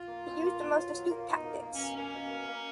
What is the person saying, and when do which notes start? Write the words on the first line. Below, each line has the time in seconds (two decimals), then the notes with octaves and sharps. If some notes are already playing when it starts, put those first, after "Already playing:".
He used the most astute tactics.
Already playing: F4
0.08 A#3
0.26 B2
0.43 A#3
0.60 B2
0.77 F#3
0.94 F#3
1.11 A#3
1.29 B2 D#4
1.46 A#3
1.62 A#3
1.74 C#4
1.79 B2
1.97 A#3 C#4
2.15 B2
2.31 A#3
2.48 A#3